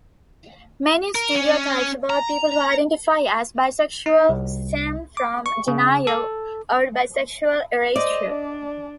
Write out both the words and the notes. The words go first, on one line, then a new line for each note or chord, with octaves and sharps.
Many stereotypes about people who identify as bisexual stem from denial or bisexual erasure.
A#4
C#4
A#5
D#4
C2
D6
C#6
C#3
A4
C5 D5 D#5
D4